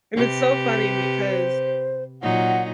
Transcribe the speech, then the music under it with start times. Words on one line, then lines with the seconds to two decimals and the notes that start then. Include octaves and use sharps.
And it's so funny because
0.16 C3 G4 B4
1.29 C5
2.22 A#2 F#3 D#4 F#5